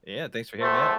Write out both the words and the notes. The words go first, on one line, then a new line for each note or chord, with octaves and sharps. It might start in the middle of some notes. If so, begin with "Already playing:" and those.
Yeah, thanks for hearing me out.
E2 A2 A3 C5